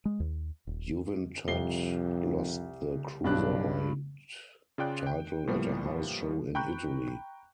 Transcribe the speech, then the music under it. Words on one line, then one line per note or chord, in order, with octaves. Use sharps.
Juventud lost the Cruiserweight Title at a house show in Italy.
G#3
D#2
D#1
C2 F2 C7 G7
B1 G2 D4 F#6
C#3 F4 D5 G5 F#6 D7
G5
A2 F3 G3 A#3 B3
G5 A#5 B5 C#6 F#6 G6